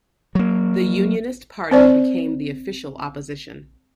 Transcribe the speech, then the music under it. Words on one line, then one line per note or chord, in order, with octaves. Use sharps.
The Unionist Party became the official opposition.
F#3 A#3
C4 C5 D5